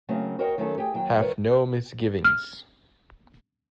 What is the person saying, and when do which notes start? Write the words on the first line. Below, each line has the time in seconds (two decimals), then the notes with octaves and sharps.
Have no misgivings.
0.09 C#3 F#3 A3 A#3 C4
0.39 F#4 A#4 C5 C#5 D#5 G5
0.58 D#3 F#3 A3 C#4 G4 A4
0.78 G4 G#4 G5
0.94 D#2 F#3 G5
1.19 G2 D#3 A#3 A#4 B4 C#5
2.25 F6